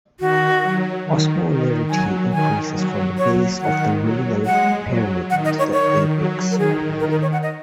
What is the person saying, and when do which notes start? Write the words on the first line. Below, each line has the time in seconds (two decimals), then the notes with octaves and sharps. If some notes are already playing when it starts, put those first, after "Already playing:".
Osmolarity increases from the base of the renal pyramid to the apex.
0.20 D#3 F#4
0.63 F#3
1.05 D#3
1.48 D#3
1.90 F#3 G#5
2.33 D#3 G#5
2.75 F#3
3.18 F#3 C#5
3.61 D#3 F#5
4.02 F#3
4.45 G#3 F#5
4.87 F#3
5.30 D#3 F#5
5.45 D#5
5.59 C#5
5.73 D#3 C#5
6.15 F#3
6.51 A#4
6.58 D#3 G#4
7.00 A#4
7.11 A#4
7.22 C#5
7.32 F#5
7.43 D#5